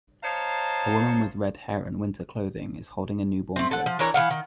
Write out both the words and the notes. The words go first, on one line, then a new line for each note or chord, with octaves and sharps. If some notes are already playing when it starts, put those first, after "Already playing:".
A woman with redhair and winter clothing is holding a newborn goat.
C5 C#5 D#5 F5 A5 A#5
A3 C4
A4 F#5
F3
E3 D4 A#4 C#5
E3 G3 F5 F#5
D#3